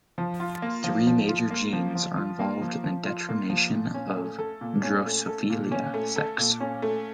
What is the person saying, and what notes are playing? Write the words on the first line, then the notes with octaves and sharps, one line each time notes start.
Three major genes are involved in determination of "Drosophila" sex.
F3
F4
A#3
F3
F3
F4
A#3
F3
F3
F4
A#3
F3
F3
F4
A#3
F3
A#2
C#4
A3
A4
A#2
C#4
A3
A4
A#2
C#4
A3
A4
A#2
C#4
A3